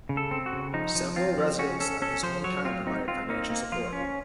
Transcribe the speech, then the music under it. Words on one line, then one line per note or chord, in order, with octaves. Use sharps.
Several residents of his hometown provided financial support.
C#3
A4
C4
F#4
C#3
F3 D#4
F3
C4 F4
F3
C#4 F#4
C#4 A4
C#4 A4
F3 C5
F#3 C#5
C4 F4
C4 D#4
C4 F4
A#3 D#4
A#3
F3 F4
C#4